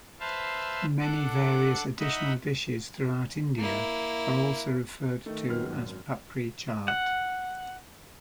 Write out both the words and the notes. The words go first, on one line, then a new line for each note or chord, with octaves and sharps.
Many various additional dishes throughout India are also referred to as papri chaat.
B4 C5 E5 F5 A5
D4 A4 F#5 D6
D#4 D#5 E5 F#5 B5
A#3 E4
D#3 A3
F#2 D#3 B3 F6
G#1 F#2
F#5